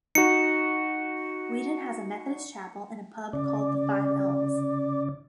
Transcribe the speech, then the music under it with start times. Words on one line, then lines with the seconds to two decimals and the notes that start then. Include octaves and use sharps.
Weedon has a Methodist Chapel and a pub called the Five Elms.
0.15 D#4 F#4 C#7
3.33 C#3 D5